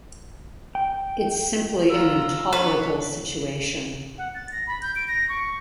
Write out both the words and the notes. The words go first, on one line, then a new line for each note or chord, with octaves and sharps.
It's simply an intolerable situation.
G5
F4 A#5 E6
D4 B4 C#5
F#5
A6
A#6
B5
G6
D7
A#6
C#6